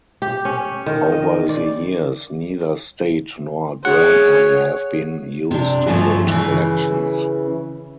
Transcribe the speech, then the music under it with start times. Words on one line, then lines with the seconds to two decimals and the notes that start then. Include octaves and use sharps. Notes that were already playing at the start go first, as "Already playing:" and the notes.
Over the years, neither state nor grant money have been used to build collections.
0.22 G4
0.45 C#4
0.86 D#3
1.12 D#5
1.49 D5
3.85 G#4 C#5 F#5
5.51 C3 D4
5.87 G2 C#3 F3 A3 C#4
6.27 C#3 E3